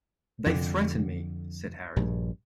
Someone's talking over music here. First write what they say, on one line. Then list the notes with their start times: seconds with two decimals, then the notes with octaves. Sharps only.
"They threaten me," said Harry.
0.46 F2 D3
1.96 A#1 G2